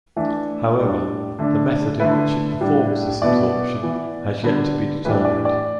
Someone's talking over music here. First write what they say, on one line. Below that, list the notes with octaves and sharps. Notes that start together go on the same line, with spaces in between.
However, the method in which it performs this absorption has yet to be determined.
E3 A3 D4
A2 G3 D4 D5
D3 A3 D4
D3 A3 E4 B4
A2 G3 D4
B2 B3 E4 D5
E3 B3 E4
D3 G3 B3 D4 B4
A2 E3 G3 D4 B4
D5
D5